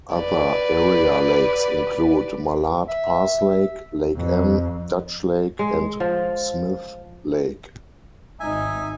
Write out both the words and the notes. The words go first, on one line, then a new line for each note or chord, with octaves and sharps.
Other area lakes include Mallard Pass Lake, Lake Ann, Dutch Lake, and Smith Lake.
B4 D5
E5
F2
G#3
F3
G#1 D#4 E5 G#5